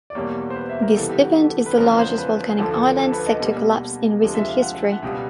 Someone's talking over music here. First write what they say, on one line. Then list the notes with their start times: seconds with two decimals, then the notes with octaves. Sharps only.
This event is the largest volcanic island sector collapse in recent history.
0.10 D5
0.15 E2 B2 G3 A#3 C#5
0.50 C5
0.55 B4
0.69 E5
0.82 A#4
0.96 C#2 C3 E3 G3 B3 A4
1.09 G4
1.23 F#4
1.36 A4
1.66 B4
1.77 E2 C#3 F3 G#3 B3 A#4
1.98 C5
2.18 B4
2.59 D2 D3 F3
2.99 A4
3.12 B4
3.27 D#5
3.40 B2 G3 A#3
4.21 D2 C3 F3 G#3
4.35 E5
4.48 F5
4.62 F#5
4.92 F#5
5.02 C#2 B2 G3 B3 G5